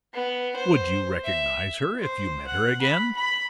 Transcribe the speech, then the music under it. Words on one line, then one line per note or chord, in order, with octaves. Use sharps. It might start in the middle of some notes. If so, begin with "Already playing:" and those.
"Would you recognize her if you met her again?"
B3
C5
E5
C5
F#5
B5
B5